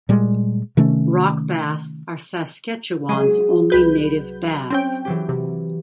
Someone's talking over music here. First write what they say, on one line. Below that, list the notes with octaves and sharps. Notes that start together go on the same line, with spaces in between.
Rock bass are Saskatchewan's only native bass.
A#2 G3 G#3
C3 D#3 A3 C#4
F#3 G#3 G#4 D#7
C2 B4 G6
C4 C#4 G5
E3 F#3 G4
C3